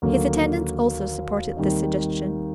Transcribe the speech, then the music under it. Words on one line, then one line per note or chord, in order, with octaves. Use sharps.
His attendants also supported this suggestion.
D#2 D3 F#3 A#3
D#2 D#3 G3 C4 D#4